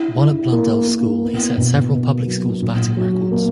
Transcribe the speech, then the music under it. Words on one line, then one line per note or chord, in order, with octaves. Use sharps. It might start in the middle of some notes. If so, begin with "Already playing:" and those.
While at Blundell's School, he set several public school's batting records.
Already playing: E4
E4
A#3
A#3
B3
B2
B3
F#3
A#2
F#3
A#3